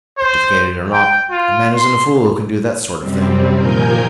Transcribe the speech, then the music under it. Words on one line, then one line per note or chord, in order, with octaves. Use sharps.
Certificated or not, a man isn't a fool who can do that sort of thing.
C5
G5
F4
C6
F#2 C3 G3 C4
A#2 D#3 F3 A#4 G#5 G6